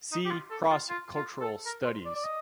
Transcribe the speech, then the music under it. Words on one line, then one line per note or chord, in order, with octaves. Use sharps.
See Cross-cultural studies.
D#4
G4
F4
A4
F4
F4
F4
A4
A#4
C5
D5
D5
D#5